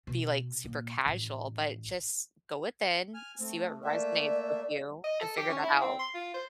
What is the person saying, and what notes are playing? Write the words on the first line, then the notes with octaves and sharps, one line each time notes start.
be, like, super casual, but just go within, see what resonates with you, and figure that out.
B2
A#2
A1
G#5 F6
A3 C4
A3 A#3 D5 E5
D#5
A4
G4
C#4
E4
C4
C6
F4
C5